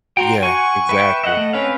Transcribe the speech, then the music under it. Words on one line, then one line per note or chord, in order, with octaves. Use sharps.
Yeah. Exactly.
F#4 G5 A#5 C6
F#5 G#5 C#6
B4 E5 G5
D#5 E5 F#5
A3
C4 C#4 B4 F5